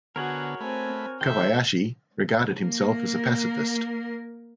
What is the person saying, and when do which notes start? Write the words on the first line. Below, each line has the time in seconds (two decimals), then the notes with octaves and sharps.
Kobayashi regarded himself as a pacifist.
0.16 D3 B3 F#4 G#4 A#4 C#5 F#5
0.61 A3 C4 G#5 B5
1.21 D#3 G4 A4 E5 G5 C6
2.61 A#3 A#4